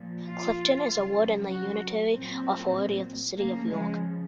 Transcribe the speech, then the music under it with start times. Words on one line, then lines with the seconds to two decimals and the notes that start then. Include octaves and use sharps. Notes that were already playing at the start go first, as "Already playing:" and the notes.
Clifton is a ward in the Unitary Authority of the City of York.
Already playing: A#2 F3
0.28 F4
0.90 C#3 F#3
1.51 F#4
2.13 A#2 F#3 C4
3.37 C#3 F3 A#3
3.69 G#3